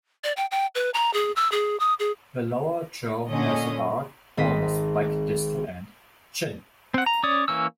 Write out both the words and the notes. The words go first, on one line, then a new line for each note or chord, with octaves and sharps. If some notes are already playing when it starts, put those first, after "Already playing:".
The lower jaw has a dark, almost black distal end, "chin".
D5
G5
G5
B4
A#5
G#4
E6
G#4
D#6
G#4
A#2 D3 C#4 D#5
G#1 C4 D#5 B6
C4 F#5
A#5
C#4 C#5 D5 D#6
E3 A#3 C#4 E6